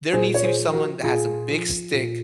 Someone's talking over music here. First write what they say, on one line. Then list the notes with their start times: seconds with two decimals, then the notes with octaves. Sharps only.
There needs to be someone that has a big stick
0.13 A#2 G#4 C5
0.34 C#5
0.44 G#4 C5
0.58 F3
0.72 F#4 A#4
1.03 A#2 F4 G#4
1.48 F3
1.93 A#2